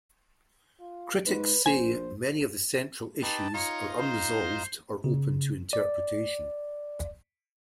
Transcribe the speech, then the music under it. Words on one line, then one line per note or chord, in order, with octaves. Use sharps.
Critics say many of the central issues are unresolved or open to interpretation.
F4
G#2 B4
A#1 C5 G#5
D#4 G4 B4 A5
D#4 F4 C#5 A#5
C5
C#3
D5